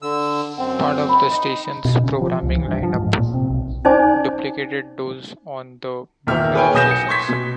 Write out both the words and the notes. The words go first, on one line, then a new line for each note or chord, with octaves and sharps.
Part of the station's programming lineup duplicated those on the Buffalo stations.
D3 E6
F#2 C4 F#5
B5
D#4
B2
C#3
F3
C#2
E3
G2
F3
G#2
G#2
A#2
C3
B1
C#4 D#4 C5 D5 G#5 D6
E2 A#2 D#3 A#3 E5 F6
G#4 B4 C#5 G5 G#5
B1 G#5 D#6 G6 A#6 E7
C#7
C6 C#6 G#6 B6
B2